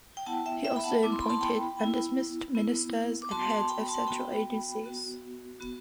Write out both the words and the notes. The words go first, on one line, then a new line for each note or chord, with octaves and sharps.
He also appointed and dismissed ministers and heads of central agencies.
G5
B3 E4 F#5 A5
E5 G5
E5 G5
B5
F#5 A5
B3 E4 D6
C6
B5
A5 C6
G5 B5
B3 E4
B3 E4
D6
B3 F#4 A5 C6
A5 C6
G5 B5
A5 C6
B3 F#4 G5 B5
B3 F#4
B3 F#4